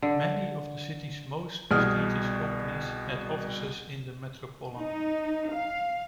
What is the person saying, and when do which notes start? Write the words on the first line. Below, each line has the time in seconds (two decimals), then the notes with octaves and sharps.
Many of the city's most prestigious companies had offices in the Metropolitan.
0.02 D3
1.71 C2 B2 G#4 D#6 F6
4.76 D#4
5.51 F5